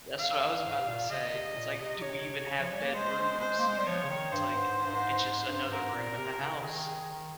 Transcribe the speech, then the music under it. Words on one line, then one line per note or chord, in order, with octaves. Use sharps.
That's what I was about to say. It's, like, do we even have bedrooms? You know? It's like it's, just another room in the house.
F5
G#2
C3
A#2
C#3 D#5
C3
A#2
C3
C#5
C3
C#3
F3
G3
A#3
G#3 C5
C5
A#3
G#3
G3
F3 C#5
C#3
D#3
G2 C5
G#2
G#2
G2
G#2
G#2
G2
G#2 A#4
A#2
A#2
C3
C#3
D#3 G#4
D#3